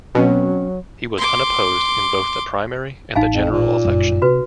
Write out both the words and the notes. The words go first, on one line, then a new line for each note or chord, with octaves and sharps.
He was unopposed in both the primary and the general election.
B2 F#3 C4 C#4 G#5
C6 D6
A1 D#4 F5 G#5
F2
A#2
G1 F#2 G3
C3 F#4 B4